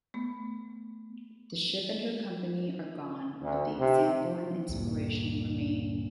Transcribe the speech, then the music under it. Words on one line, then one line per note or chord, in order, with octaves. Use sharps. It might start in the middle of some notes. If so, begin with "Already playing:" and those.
The ship and her company are gone, but the example and inspiration remain.
A3 B3
D2
C3
D2 G2 A#2